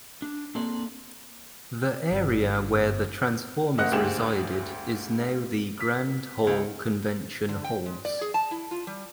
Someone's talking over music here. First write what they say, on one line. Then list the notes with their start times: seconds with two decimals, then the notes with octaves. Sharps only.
The area where the transformers resided is now the Grand Hall convention halls.
0.22 D4
0.55 A#3 C4 D4 A4 D5
2.12 G1
3.78 F#1 C4 D#5 F#5 F#6
3.91 D2 G#2 G4 G#4 E7
5.81 B6
6.44 C#2 C#3
7.49 D3
7.64 G5
7.86 G#3
8.05 D5
8.21 G#4
8.34 A5
8.51 E4
8.71 F4
8.87 G3